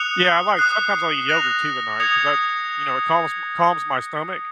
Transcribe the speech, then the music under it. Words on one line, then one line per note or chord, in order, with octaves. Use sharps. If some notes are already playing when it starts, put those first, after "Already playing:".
Yeah, I like sometimes I'll eat yogurt too at night 'cause I you know, it calms calms my stomach.
Already playing: D#6 F#6 C#7 F7
D#6 F#6 C7
F#6 A#6 F7
D#6 G#6 C#7 F7